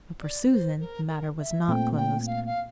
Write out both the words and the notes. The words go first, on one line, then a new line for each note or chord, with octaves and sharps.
But for Susan the matter was not closed.
D5
C5
A#4
A#4
E5
A#2 A3 C4 G5
G5
F5
F5